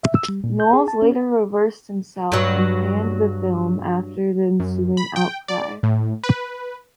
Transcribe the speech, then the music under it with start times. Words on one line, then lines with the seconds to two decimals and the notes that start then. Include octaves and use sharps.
Knowles later reversed himself and panned the film after the ensuing outcry.
0.03 E5
0.15 E6
0.29 G3
0.44 A#2
0.60 G6
0.73 G#4
0.88 A5
1.02 C#4
2.32 G2 F#3
4.60 F#2
4.97 B5
5.16 G5
5.48 D5
5.83 A2
6.24 B4